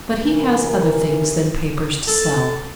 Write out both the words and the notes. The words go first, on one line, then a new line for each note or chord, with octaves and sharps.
But he has other things than papers to sell.
C3 E3 A#4
A4